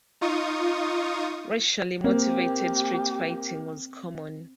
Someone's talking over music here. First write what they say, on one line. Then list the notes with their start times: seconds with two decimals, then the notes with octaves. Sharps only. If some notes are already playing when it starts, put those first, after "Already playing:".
Racially motivated street fighting was common.
0.21 D#4 F4 C#6 D#6
2.04 A#3 C4 G4